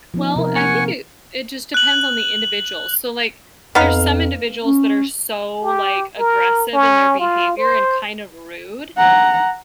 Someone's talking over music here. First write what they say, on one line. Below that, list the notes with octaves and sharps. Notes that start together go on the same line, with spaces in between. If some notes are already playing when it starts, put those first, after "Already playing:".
Well, I think it it just depends on the individual. So, like, there's some individuals that are so, like, aggressive in their behavior and kind of rude,
F3 B3 D#4
C3 C4 A#4
A#3 F#5 G#5 C#6
F#6 F#7
F2 B3 D#4 F5
C#4
G4
A#4
C#4
F4
C5
F#5 A#5